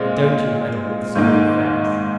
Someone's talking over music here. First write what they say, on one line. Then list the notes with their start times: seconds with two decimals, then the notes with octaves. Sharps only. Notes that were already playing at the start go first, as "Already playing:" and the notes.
And don't you meddle with school affairs.
Already playing: A#2 G#3 C4 F4
1.15 G#2 D#3 A#3 D#4